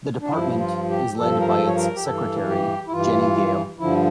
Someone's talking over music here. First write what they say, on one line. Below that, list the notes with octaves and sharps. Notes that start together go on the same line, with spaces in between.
The department is led by its Secretary, Jenny Gale.
D4
G2 F3 E4
F4
G4
G2 F3 A4
A#4
A4
C#5
A#4
G4
G2 E3 A4
G4
E4
G2 E3 F4
G2 D3 F3 E4